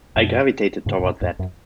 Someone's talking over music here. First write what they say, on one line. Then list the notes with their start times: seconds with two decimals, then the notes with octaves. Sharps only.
I gravitated toward that.
0.16 F#2 B2
0.86 G#2 C#3
0.99 G#2
1.04 F#2 B2
1.21 E2 G#2
1.39 F#2